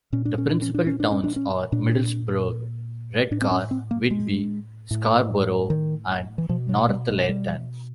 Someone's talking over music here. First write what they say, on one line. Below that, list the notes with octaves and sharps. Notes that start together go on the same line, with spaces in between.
The principal towns are Middlesbrough, Redcar, Whitby, Scarborough and Northallerton.
A#2 C#4
D4
C#4
D4
C#4
D4
C#4
D4
C#4
D4
C#4
A#2 D4
A2 D4
C4
C#4
C4
A#3
G#3
A2
D#3
E3
B2 F3
F#3
G3
G#3
G3